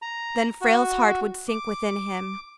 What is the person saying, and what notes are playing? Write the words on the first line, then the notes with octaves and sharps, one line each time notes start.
Then Frale's heart would sink within him.
A#5
F#4
D6